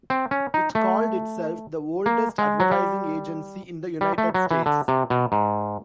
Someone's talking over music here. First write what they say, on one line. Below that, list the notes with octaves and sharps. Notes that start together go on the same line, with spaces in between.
It called itself the oldest advertising agency in the United States.
C4
C#4
D#4
A3
A#3
G#3
F#3
G3
G3
A3
F#3
E3
D3
C3
B2
G#2